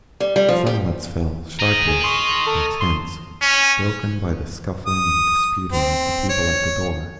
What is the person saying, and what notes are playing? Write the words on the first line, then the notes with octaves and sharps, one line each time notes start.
Silence fell sharply, intense, broken by the scuffling and disputing of the people at the door....
G3
G3
F3
G4
A#4 D#5 D#7
G#4
C6 C#6 D#6 E7
A4
C6
C#4
D#6
C4
C#5